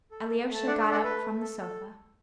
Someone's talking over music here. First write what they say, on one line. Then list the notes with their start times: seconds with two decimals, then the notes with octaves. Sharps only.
Alyosha got up from the sofa.
0.11 A4
0.30 A3
0.49 A3
0.55 A5
0.67 D4 D5 F#5
0.79 D5 F#5
0.85 A4
0.92 D5 F#5
1.03 A3 B4
1.22 A3
1.41 A4
1.59 A4